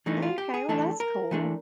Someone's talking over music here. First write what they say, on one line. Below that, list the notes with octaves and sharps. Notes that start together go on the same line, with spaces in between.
Okay, well, that's cool.
E3 A3 D4 D#4
F4
G4
G#4
E3 A3 D4 A4
A#4
E3 A3 D4